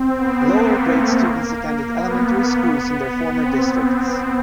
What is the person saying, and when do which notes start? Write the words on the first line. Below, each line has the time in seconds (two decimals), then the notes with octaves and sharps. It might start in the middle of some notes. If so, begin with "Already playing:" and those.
Lower-grade students attended elementary schools in their former districts.
Already playing: C4
0.17 B3
0.52 A#3
0.88 A3
1.25 A#3
1.97 B3
2.31 B3
2.67 B3
3.39 C4